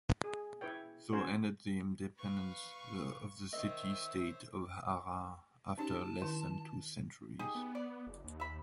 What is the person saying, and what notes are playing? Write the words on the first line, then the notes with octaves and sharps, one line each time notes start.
So ended the independence of the city-state of Harar after less than two centuries.
G#4
E4 B4 C#5 G5
C#4 F#4 C5 C#5
B4 F5 C#6
D#3 C5 C#5 D#5 E5
C#4 D#4 G4 A5
D#3 E4
D#4 G4 G#4
B3
D5
F#1
D#2
E5 B5